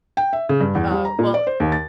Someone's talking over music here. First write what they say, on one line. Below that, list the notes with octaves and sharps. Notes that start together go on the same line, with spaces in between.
Uh, well,
G5
E5
C#3
G2
E2
G3
A#5
A#2
D5
C5
D#2
A6